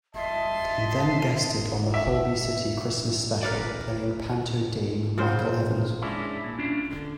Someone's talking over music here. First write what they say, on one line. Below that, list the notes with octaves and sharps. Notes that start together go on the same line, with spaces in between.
He then guested on the Holby City Christmas Special, playing panto dame Michael Evans.
D#5 E5 A5 C6
E5
A#4 B4 D5
A#2 C#3 C5
G#3 C#4 D4 E4
A#2
C#4 D4 F4
D3